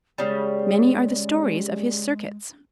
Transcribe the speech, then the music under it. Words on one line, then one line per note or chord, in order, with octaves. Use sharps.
Many are the stories of his circuits.
C#3 G3 G#3